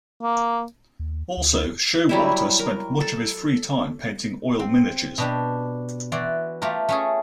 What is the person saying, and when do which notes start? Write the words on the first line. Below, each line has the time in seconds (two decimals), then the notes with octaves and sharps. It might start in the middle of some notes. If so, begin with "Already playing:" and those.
Also, Showalter spent much of his free time painting oil miniatures.
0.22 A#3
0.99 D#2
1.37 D2
2.09 F#3 G3 E4
2.59 A#4
3.00 A4
4.59 C4
5.18 B2 D4 G4
6.12 E3 F#4 D5 C6
6.62 A3 F4 G4 A#4
6.89 A3 C#4 G#4